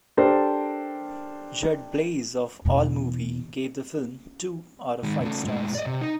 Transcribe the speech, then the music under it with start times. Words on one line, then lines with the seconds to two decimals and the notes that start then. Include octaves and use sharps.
Judd Blaise of Allmovie gave the film two out of five stars.
0.17 D4 G4 A4 A#4 C5
2.65 E2 B2
5.03 D#3 G#3
5.21 C#3 A3
5.46 A2 G#3
5.75 D5 D#5
5.86 C3
6.01 D#4